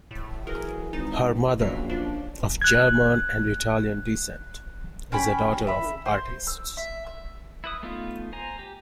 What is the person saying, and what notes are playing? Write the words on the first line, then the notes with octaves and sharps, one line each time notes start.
Her mother, of German and Italian descent, is the daughter of artists.
A2
E3 F#3 G#4 A#4 B4
G#1 D#4 A5
A#1 E2 F#3 C#4 E5 F5
F3 D4
F#6 G#6
C#4 G5 G#5 B5
E5 B5
C5
E6
E5
E6
E4 B4 D#6
A3 B3 D#4 F4
C5 G#5 A#5
G4